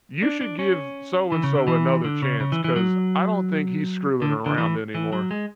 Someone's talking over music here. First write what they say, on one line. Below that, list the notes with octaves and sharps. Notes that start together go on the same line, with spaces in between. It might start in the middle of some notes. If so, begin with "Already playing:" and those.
you should give so-and-so another chance, 'cause I don't think he's screwing around anymore.
D4
D4
C#4
E3
C#3
D3
E3
D3
C#3
C#3
E3
E3
F#3
D3
D3
E3
E3
F#3
G#3